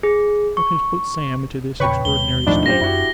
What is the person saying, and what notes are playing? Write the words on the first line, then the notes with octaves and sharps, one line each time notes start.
'What has put Sam into this extraordinary state?'
G#4
C#6
E2 A#2 C#3 B4 C#5 G5 B5 C#6
D#2 B2 G#3 G7
A2 F3 D4 D#4
F#3 C#4 F4 G4 C5 A#6
F#2 E4 F#4 G4